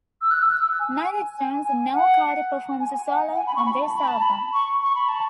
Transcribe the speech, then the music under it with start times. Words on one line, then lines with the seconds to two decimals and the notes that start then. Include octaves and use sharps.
Neither Jones nor Carter performs a solo on this album.
0.22 E6
0.31 F#6
0.39 E6
0.49 F#6
0.58 E6
0.79 G#5
0.93 G#5
1.37 G#5
1.64 G#5
1.94 F#5
2.80 G#5
2.94 G#5
3.10 F#5
3.32 F#5
3.37 G#5
3.47 B5
3.56 C#6
3.66 B5
3.81 A5
3.95 B5
4.08 A5
4.22 B5
4.53 C#6
4.82 C#6
4.95 B5
5.09 A5